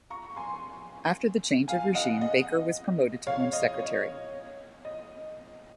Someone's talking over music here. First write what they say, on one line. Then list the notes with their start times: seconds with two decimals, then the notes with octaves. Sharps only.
After the change of regime Baker was promoted to Home Secretary.
0.10 A#5 C#6
0.36 G#5 C6
1.68 F5 G#5
1.95 D#5 F#5
2.21 D#5
3.27 C#5 F5
3.53 D#5
3.79 C#5
4.85 D#5